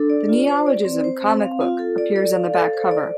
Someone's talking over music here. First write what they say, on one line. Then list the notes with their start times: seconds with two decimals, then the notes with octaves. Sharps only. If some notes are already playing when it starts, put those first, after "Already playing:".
The neologism "comic book" appears on the back cover.
Already playing: D4 A4
0.10 D5
0.29 F4
0.47 C5
0.67 D5
0.85 C4
1.04 C5
1.22 C4
1.42 F5
1.61 F4
1.79 A4
1.98 D5
2.16 D5
2.36 F5
2.54 A4
2.73 C5
2.91 D5